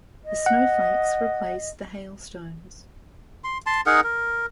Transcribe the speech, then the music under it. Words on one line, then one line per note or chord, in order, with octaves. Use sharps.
The snowflakes replaced the hailstones.
D#5
F#5
C6
A5 C6
D#4 G#4 A#4 F#5
A#4